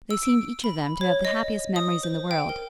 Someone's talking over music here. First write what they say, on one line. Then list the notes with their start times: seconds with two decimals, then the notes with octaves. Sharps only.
They seemed each of them to have the happiest memories in the world.
0.11 E6
0.23 D7
0.64 B5
1.01 C#5
1.25 D#5
1.76 D#6
2.03 C5
2.31 G5
2.49 A#4